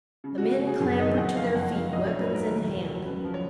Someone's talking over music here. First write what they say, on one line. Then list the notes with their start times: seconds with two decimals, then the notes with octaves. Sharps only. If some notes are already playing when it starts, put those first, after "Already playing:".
The men clambered to their feet, weapons in hand.
0.24 C#3
0.38 F#4
0.42 C#3
0.52 F#4
0.61 C#3
0.66 G#4
0.80 F#1 G#4
0.99 D#3 D#5
1.18 F#1 F#5
1.36 F2 F5
1.55 F2 F#5
1.73 F2 F5
1.93 A#1 D#5
2.07 C#5
2.11 F#3
2.21 B4
2.31 G#2 A#4
2.49 D#2
2.68 F1
2.87 F#3
3.05 C#3 B4
3.24 F3
3.34 C#5